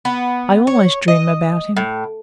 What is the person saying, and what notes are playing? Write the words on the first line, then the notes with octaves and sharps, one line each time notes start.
I always dream about him.
B3
C#5
D#5
A2